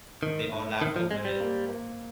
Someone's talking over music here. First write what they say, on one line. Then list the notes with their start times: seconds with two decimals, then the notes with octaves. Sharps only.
They all laugh over it.
0.23 G#2 D#3
0.53 G#2
0.81 G#2 D#3
0.96 F3
1.11 G#3 C4
1.25 G3
1.40 A#3
1.69 A#3